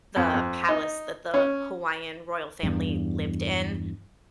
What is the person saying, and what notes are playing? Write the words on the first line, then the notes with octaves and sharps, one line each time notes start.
the palace that the Hawaiian royal family lived in,
F2
F2
D#4
C#4
E2 G2